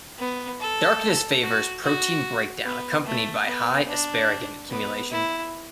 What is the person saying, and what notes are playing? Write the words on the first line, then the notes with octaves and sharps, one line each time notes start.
Darkness favors protein breakdown accompanied by high asparagine accumulation.
B3
A4
F#4
F#4
B3
A3
B3
D4
B3
E4